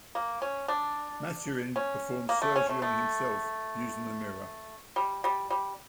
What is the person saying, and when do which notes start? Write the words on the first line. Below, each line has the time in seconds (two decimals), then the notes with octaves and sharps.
Maturin performs surgery on himself using a mirror.
0.15 A#3
0.42 C#4
0.68 D4
1.76 C#4
2.29 A#3
2.42 A3
2.56 C#4
2.69 A3
2.82 A3
4.96 G3
5.24 G3
5.50 G3